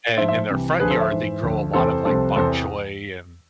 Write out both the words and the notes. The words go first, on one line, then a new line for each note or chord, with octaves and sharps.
and in their front yard, they grow a lot of, like, bok choy and,
G#2 F3 C5 E5
C5 E5
C2 C3 E3
D2 D3 F3 G#4 B4
A4 C5
C5 E5
G#2 E3
D2 D3 F3
E2 C3 E3 A4 C5
C2 C3 F3 A4 C5
E2 C3 E3 A4 C5